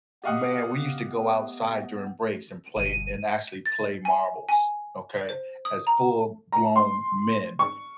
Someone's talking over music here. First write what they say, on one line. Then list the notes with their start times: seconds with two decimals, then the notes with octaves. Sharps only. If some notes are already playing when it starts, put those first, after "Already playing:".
man, we used to go outside during breaks and play and actually play marbles, okay, as full blown men,
0.24 B3 G4 D#5 F5 F#5 C#6 D#6
2.76 G1 G2 B2 D#7
3.66 A6
4.05 G#5
4.49 G#5
5.29 C5
5.65 D#6
5.87 A#5
6.52 A#5
6.76 C6
7.59 C#6